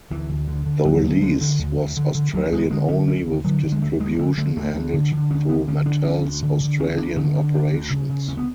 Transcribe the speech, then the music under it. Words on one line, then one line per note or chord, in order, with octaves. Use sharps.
The release was Australian-only with distribution handled through Mattel's Australian operations.
D2 E3
D2
D3
D3
D2 F#3
D2
D3
D3
D2
D2
D3
D3
D2 F#3
D2 G#3
D3 G#3
D3 C#4
D2 C#4
D2
D3 F#3
D3
G#3
D2 A3
D2 G#3
D3 A3
D3 A3
D2 A3
D2
D3
D3
D2 C#4
D2 B3
D3 C#4
D3 D4
D2 C#4
D2
D3
D3
D2 C#4
D2 D4
D3 C#4
D3 C#4
D2 D4
D2
C#3
C#3
D2 C#4
B3